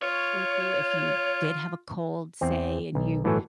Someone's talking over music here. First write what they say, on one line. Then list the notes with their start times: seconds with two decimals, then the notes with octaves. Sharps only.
with you if you did have a cold, say, and you
0.02 F4 C#5
2.41 E2 C4
2.95 B1
3.24 G1 A2 E3 F#3 A4 G#5